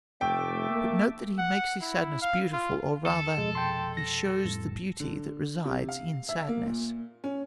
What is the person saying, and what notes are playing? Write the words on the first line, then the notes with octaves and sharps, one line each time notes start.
But note that he makes his sadness beautiful; or, rather, he shows the beauty that resides in sadness.
F1 A3 E5 G5 D6
A#3
F#5
E4
F5
F4
D#2 A4
F1 B2 F3 G#3
G5 A5 C6
A#6
F2 A2 G3
D3
C3
F5
E5
A#3
A#2
C#4